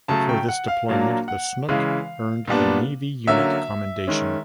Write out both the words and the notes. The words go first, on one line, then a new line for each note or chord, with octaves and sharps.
For this deployment the "Snook" earned the Navy Unit Commendation.
C#3 F#3 A3 A5
G5
F#5
F5
A#2 F#3 A#3 D4 F5
F#5
C#3 E3 G#3 F5
A#2 G3 B3 D4
D3 F#3 A#3 C#4 E5
D#3 G#3 C#4